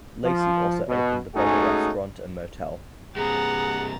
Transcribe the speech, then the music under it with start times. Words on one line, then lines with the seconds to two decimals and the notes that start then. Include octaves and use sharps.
Lacey also opened the Bomber Restaurant and motel.
0.24 F3
0.89 B2
1.35 G#3 A3 C#4 D#4 F#4 G#4
3.16 G2 C3 G#4 F#5 A#5 A6